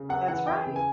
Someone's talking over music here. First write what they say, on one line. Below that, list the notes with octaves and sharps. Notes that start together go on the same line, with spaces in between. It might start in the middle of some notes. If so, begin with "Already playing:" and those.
That's right.
Already playing: C#3
F#2 F#5
E3 F#5
F#2 G5
C#3
G#5